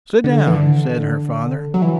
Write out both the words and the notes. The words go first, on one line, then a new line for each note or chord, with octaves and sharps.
"Sit down!" said her father.
D3
E3
D3
F#3
E3